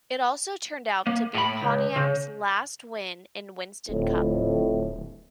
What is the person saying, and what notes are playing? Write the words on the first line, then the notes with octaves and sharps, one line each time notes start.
It also turned out to be Pontiac's last win in Winston Cup.
A#3
A2 B5
C#2
C#3
D1 F2 A2